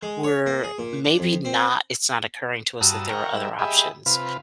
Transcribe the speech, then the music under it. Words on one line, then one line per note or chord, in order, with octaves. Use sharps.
we're maybe not it's not occurring to us that there are other options.
G#3
C#5
A#3
G#4
A#2
D4
F2
C4
G2 F#4 A5 A#5 D#6 E6
A#4 F#5 G5 A#5 C#6 F6
G3 A#4 E5
G4 G#4 D#5 E5 B5
C3 F4 B4